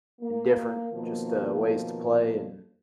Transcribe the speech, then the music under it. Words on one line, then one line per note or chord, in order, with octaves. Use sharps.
in different just, uh, ways to play and
A#3
B2 D#3 F3 A#3